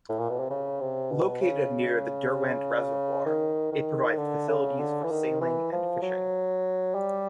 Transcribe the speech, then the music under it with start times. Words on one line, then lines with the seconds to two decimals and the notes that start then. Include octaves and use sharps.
Located near the Derwent Reservoir, it provides facilities for sailing and fishing.
0.09 A2
0.19 A#2
0.30 B2
0.40 C3
0.50 C#3
0.81 C3
1.11 B2
1.42 C#3
3.26 D#3
3.72 D#3
4.18 D3
4.49 C#3
4.80 D3
5.04 E3
5.10 D#3
5.41 E3
5.72 F3
6.02 F#3
6.94 G3